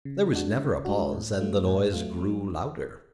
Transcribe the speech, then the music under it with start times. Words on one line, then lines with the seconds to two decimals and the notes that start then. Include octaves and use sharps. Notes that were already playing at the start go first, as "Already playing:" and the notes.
There was never a pause, and the noise grew louder.
0.05 C#3
0.32 G#3 D4 F#4
0.58 C#3
0.85 G#3 D4 F#4
1.12 A2
1.39 F#3 A3 F4
1.67 A2
1.93 F#3 A3 F4
2.21 F#3